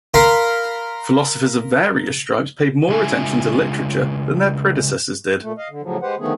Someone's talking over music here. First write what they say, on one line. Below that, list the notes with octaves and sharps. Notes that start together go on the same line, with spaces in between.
Philosophers of various stripes paid more attention to literature than their predecessors did.
A#4 F5 B5 C6
C#3 G#3 D4 F4 E5 G#5
A#2 A3
D#5 F5
D3
A2 C#3 F3 F#3
G#3 G4 B4 C5 F#5
D3 D#3 F3 A3 B3 G#4